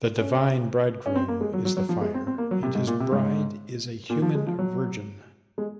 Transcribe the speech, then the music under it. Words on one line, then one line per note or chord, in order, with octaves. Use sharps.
The divine bridegroom is the fire and his bride is a human virgin.
C#4
C#4
C4
A#3
G#3
F#3
F#3
F#3
F3
G#3
C4
C4
A#3
F#3
C3
G#2
A#2
C3
G#2
A#2
F3
G#3
F3
F#3
G#3